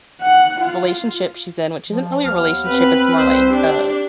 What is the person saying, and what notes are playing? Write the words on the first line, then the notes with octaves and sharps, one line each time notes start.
relationship she's in, which isn't really a relationship, it's more, like, uh,
F#5
F4
F3
D#2 B3 F6
C4 B4
C2 B4 C5
D4 G4